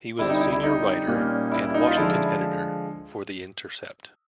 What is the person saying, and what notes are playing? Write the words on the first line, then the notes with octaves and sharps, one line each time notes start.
He was a senior writer and Washington editor for "The Intercept".
D3 G3 C4 E4
D#4
E4
E4
D#4
A#2 G3 A#3 C#4
E4
D#4
F4
D3 F3 G#3 E4